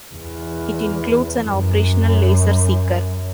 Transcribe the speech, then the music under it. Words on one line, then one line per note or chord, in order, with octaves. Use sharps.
It includes an operational laser seeker.
E2
F#2